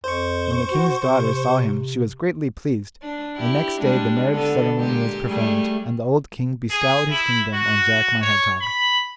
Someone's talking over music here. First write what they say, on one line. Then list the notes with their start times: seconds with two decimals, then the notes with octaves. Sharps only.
When the King's daughter saw him she was greatly pleased, and next day the marriage ceremony was performed, and the old King bestowed his kingdom on Jack my Hedgehog.
0.04 F2 C5 C#6
0.72 F#4
1.03 C3
3.02 D4
3.37 E4 G4
3.81 G3 G#3 D4
4.33 D3 B3 A4
4.77 A#2 G#3 G4
5.28 G3 A3 G#4
6.70 G#4
7.10 E4
7.53 F#4
8.21 C#5
8.61 B5